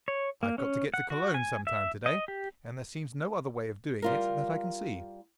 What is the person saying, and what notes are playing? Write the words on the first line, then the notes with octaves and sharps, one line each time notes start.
"I've got to get to Cologne some time to-day, and there seems no other way of doing it that I can see."
C#5
A#3
C#4
F#5
F#4
G#5
E5
D#5
G4
G3 F4 A#4